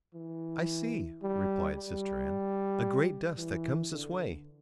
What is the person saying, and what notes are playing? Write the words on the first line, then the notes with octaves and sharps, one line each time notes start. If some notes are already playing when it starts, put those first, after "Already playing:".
"I see," replied sister Anne, "a great dust that comes this way."
E3
G3
G3
E3
D3